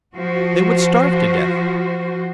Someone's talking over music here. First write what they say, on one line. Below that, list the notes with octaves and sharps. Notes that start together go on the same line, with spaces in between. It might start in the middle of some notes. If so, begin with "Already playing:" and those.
They would starve to death.
F3 F#4 C5